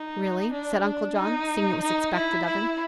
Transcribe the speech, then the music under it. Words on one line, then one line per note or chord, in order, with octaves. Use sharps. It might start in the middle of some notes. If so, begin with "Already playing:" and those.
"Really?" said Uncle John, seeing it was expected of him.
Already playing: D#4
D4
D4
D#4
D#4
E4
E4